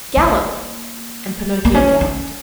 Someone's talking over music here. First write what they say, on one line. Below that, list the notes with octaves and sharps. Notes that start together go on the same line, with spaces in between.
"Gallop!" and Pinocchio galloped.
A#3
A#3
C#4
C#4